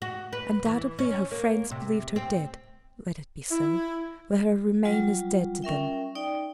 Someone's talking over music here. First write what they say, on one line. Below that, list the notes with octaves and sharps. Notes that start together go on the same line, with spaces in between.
Undoubtedly her friends believed her dead--let it be so--let her remain as dead to them.
F#4
B4
E3
C#4
A#3
C3
C4
E4
F#3 G3 F4
C#4 A#4 E5 G5
D#4 D5 G5